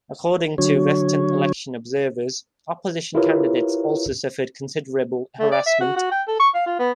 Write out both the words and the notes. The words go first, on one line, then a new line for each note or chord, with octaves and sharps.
According to western election observers, opposition candidates also suffered considerable harassment.
D3 F#3 C#5
E4 F4 G4 A#4 B4 C#5
A3
D5
E5
F#4
F#4
G5
A4
C#6
F5
F4
B3